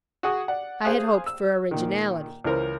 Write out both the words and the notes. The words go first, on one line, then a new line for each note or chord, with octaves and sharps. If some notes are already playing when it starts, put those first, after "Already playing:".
I had hoped for originality.
F#4 G#4 D#6
D5 F#5
G#4 C5 F5 G#5 D#6 F#6
E6
A#2 D#3
C#2 E3 A#4 C5